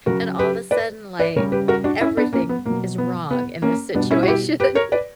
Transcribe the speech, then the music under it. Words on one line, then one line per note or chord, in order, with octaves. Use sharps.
and all of a sudden, like, everything is wrong in this situation.
C#3 F#3 F#4 A#4
G4 B4
B4 D5
B4 D5
C#3 G3 A#4 C#5
G4 B4
F#4 A#4
D4 F#4
C#4 E4
B3 D4
A#3 C#4
B3
B2 F#3 A#3
B3
B3
A#3 C#4
B2 G3 B3 D4
C#4 E4
F#4
E4 G4
G4 B4
A#4 C#5
B4 D5